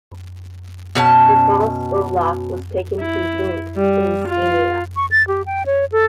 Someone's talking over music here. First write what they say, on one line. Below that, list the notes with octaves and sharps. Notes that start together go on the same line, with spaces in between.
The false Olaf was taken to Lund in Scania.
B2 C#4 A5
E4
G3
F4
C#6
A6
G4
G5
C#5
A4